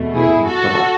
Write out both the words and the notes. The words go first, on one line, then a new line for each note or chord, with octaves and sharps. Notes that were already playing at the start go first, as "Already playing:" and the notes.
Mhm, buh-bye.
Already playing: E2 B2 A3
E4 G#4
F#4 A4